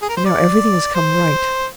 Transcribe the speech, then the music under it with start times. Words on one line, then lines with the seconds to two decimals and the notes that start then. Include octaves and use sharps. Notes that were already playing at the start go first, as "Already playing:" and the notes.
And now everything has come right.
0.02 G#4
0.09 A#4
0.17 C5
0.25 D5
0.94 C5